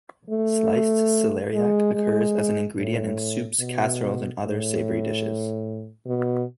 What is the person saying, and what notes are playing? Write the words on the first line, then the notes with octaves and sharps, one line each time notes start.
Sliced celeriac occurs as an ingredient in soups, casseroles, and other savory dishes.
A3
G#3
G#3
A2
B2
A2
B2